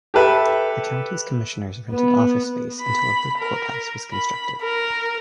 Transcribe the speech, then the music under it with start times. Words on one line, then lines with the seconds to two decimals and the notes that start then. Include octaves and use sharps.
The county's commissioners rented office space until a brick courthouse was constructed.
0.14 G4 A4 B4 E5
1.91 B3
2.81 B5
3.38 A#4
4.12 B5
4.62 A#4